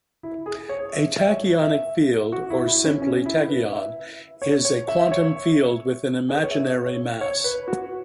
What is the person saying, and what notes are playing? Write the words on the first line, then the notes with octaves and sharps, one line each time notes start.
A tachyonic field, or simply tachyon, is a quantum field with an imaginary mass.
E4
G#4
C#5
E5
E5
C#5
E5
F#4
E4
E4
C#4
C#4
E4
B4
E5
C#5
C#5
E5
E5
C#5
G#4
B4
C#5
E5
C#5
C#5
B4
F#4